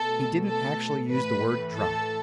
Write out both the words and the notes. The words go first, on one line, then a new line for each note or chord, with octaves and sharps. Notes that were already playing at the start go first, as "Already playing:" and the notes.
He didn't actually use the word 'drunk.'...
Already playing: B2 A3 A4
A4
A2 E3 A3 B4
A4